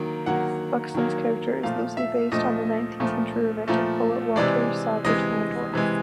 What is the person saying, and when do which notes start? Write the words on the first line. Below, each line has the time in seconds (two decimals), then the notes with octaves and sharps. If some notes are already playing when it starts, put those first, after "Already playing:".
Buxton's character is loosely based on the nineteenth century Romantic poet Walter Savage Landor.
Already playing: D#3 F#3 A#3
0.26 D#3 F#3 A#3 F#5
0.95 D#3 F#3 A#3
1.63 A#2 F3 A3 F5
1.97 E5
2.32 A#2 F3 A3 D#5
3.00 A#2 F3 A3
3.68 A#2 F3 A3
4.36 C3 E3 G#3 D5
5.05 C3 E3 G#3 D#5
5.74 C3 E3 G#3